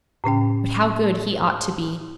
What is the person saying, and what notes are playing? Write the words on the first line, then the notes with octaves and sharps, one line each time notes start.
But how good he ought to be!'
A2 C#3 C#4 G5